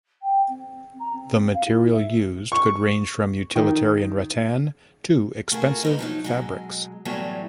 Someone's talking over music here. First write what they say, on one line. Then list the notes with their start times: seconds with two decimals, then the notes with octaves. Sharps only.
The material used could range from utilitarian rattan to expensive fabrics.
0.22 G5
0.48 C4
0.99 A#5
1.12 C4
1.53 F5
1.66 E4
1.91 E5
2.52 C#6
3.56 D#3
5.51 A3 F4 F#4 G#4 A#4
5.83 G#2 D#4 B4
5.99 F3 F#3 D#4
6.24 B2 F#3 G#3
7.05 E2 A2 F#3 G3 A3